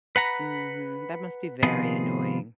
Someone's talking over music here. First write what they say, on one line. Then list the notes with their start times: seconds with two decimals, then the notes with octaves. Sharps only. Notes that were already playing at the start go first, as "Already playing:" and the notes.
Mhm, that must be very annoying.
0.16 B4 F#5 A#5 B5
1.63 C3 D#3 F3 B3 F4 G#4